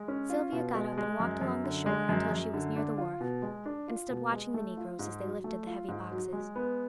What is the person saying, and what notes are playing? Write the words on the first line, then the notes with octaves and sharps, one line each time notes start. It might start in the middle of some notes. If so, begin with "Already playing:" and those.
Sylvia got up and walked along the shore until she was near the wharf, and stood watching the negroes as they lifted the heavy boxes.
Already playing: G#3
C#4
F4
B2
G#3
G#3
F#2
F#2
D3
G#3
F#2
F#2
D3
D4
F4
B2
G#3
D4
F4
B2
G#3
A3
F4
G#2
F#3
A3
F4
G#2
F#3
G#3
B3